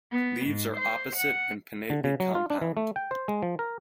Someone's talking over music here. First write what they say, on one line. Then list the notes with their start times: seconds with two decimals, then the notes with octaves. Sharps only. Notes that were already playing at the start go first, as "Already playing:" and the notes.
Leaves are opposite and pinnately compound.
0.12 B3
0.47 G#2
0.78 C5
1.16 F#5
1.90 D3
2.04 C#3
2.20 F#3
2.35 F4
2.50 D4
2.61 E3
2.77 A3
2.96 G5
3.11 C5
3.28 G#3
3.43 F3
3.59 A#4